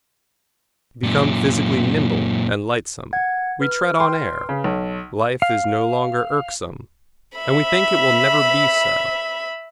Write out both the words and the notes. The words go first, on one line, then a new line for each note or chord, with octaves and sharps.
We become physically nimble and lightsome; we tread on air; life is no longer irksome, and we think it will never be so.
F#2 A#2
F#5 G#6
B4 F6
G5 C6
C#3
B1
F5
E5 B5